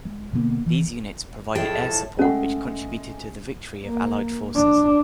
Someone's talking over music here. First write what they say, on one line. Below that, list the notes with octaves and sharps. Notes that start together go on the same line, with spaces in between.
These units provided air support which contributed to the victory of allied forces.
G#3
B2 D3 A#3 B3
E3
F2 A2 E4 G#4 G5 A5
G#3 A3 C#4 F#5
A#3
D4